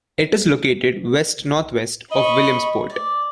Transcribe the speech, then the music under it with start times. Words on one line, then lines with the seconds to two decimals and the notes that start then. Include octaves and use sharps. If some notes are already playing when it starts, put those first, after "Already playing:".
It is located west-northwest of Williamsport.
2.11 D#5 B5 C#6
2.90 D5